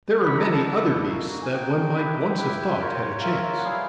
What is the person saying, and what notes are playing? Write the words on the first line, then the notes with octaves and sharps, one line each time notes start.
There are many other beasts that one might once have thought had a chance.
E4 A4 D5 F#5 B5
A#5
A5
E4 A4 D5 F#5
A#3 D#4 F#4
G#5
A#3 D#4 F#4 G5
E4 G4 B4
F#5
E4 G4 B4 G5
F4 A#4 C#5
F4 A#4 C#5 E5
E5
F#5
G3 B3 E4 G#4 F5